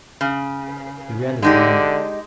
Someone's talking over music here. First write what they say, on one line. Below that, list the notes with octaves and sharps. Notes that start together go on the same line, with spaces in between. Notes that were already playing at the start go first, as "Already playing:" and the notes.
We ran to the barn.
C#3
D3 G#3 D#4 G4